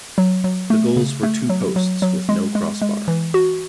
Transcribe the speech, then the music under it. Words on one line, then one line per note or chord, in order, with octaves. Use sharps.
The goals were two posts, with no crossbar.
F#3
F#3
A3
C#3
A3
F#3
F#3
F#3
G#3
G#3
G#3
E3
F#4